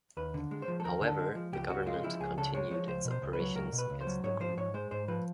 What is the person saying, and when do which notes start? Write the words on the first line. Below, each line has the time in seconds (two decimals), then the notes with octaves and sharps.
However, the Government continued its operations against the group.
0.17 D#2 B4
0.34 D3
0.51 G#3
0.62 C5
0.68 F3
0.80 A4
0.85 D#2 A#4
1.01 D3
1.07 A4
1.19 G#3
1.35 F3
1.52 C#2 G4
1.70 C#3 F#4
1.87 G#3 F4
2.03 F3 E4
2.20 C#2 G#4
2.38 C#3 A4
2.54 G#3 C#5
2.71 F3 C#5
2.87 C#2 C5
3.05 B2
3.10 C5
3.22 C#2
3.33 B4
3.39 F#3
3.55 C#2 A#4
3.73 B2
3.79 B4
3.90 C#2
4.01 C5
4.07 F#3
4.24 G#2 C#5
4.40 F3 C5
4.57 G#2 C#5
4.74 G#3 C5
4.91 G#2 C5
5.08 F3 B4